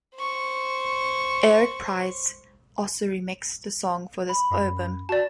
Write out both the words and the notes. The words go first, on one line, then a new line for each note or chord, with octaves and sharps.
Eric Prydz also remixed the song for this album.
C5 C#6
B5
F#2
F#4 D5 A5